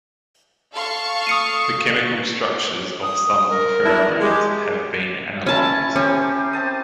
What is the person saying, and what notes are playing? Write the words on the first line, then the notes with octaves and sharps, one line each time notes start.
The chemical structures of some pheromones have been analysed.
A4 F5 C#6
D#6 C#7 D#7
D#6
A#4
B3 D4 E4
G#3 G4
C#4 E4 A#4 A5
C#4 G4 C5
C4 A5 D#6